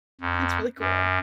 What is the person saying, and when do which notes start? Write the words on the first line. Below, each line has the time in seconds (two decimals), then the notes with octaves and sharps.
That's really cool.
0.21 F2
0.79 F#2